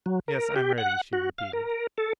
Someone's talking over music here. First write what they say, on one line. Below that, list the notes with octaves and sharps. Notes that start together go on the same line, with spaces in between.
"Yes, I'm ready," she repeated.
F#3
A#4
G4
F#5
F#4
F5
A#4
A4